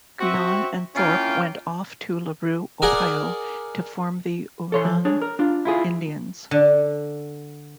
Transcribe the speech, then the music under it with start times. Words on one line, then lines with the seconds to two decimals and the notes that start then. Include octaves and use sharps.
Guyon and Thorpe went off to LaRue, Ohio to form the Oorang Indians.
0.21 C4 F#4 E5
0.96 A#3 C#4 E4 F4 C#5 G5
2.82 G#4 A#4 D5 F#5 G#5
4.72 A4 C#5 C6
4.85 F3
5.05 D4 G#4 C#5
5.22 A#4
5.39 D4 F4
5.65 E4 F4 G#4
6.51 D3